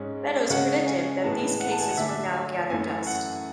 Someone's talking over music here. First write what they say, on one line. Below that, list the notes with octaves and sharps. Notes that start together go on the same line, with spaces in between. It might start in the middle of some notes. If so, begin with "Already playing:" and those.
Beddoes predicted that these cases would now gather dust.
Already playing: G#2 G#3 C#4
C#3 G#3 C#4 F#5
G#5
A2 E3 G#3 B3 A5
F#5
A5
G#5
F#5
D3 A3 D4 E5
G#5
F#2 E3 A3 C#4 G#5
F#5